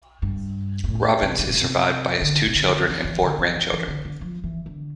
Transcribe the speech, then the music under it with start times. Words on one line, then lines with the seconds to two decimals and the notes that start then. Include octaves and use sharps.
Robbins is survived by his two children and four grandchildren.
0.22 G2
0.84 G2
0.88 A2
1.22 C3
1.39 D3
1.47 C3
1.54 A#2
1.61 C3
2.22 D3
2.47 C3
2.55 D3
2.89 E3
3.05 E3
3.22 D3
3.38 E3
3.56 E3
3.72 E3
3.88 D3
4.05 D3
4.21 F3
4.44 E3
4.66 D3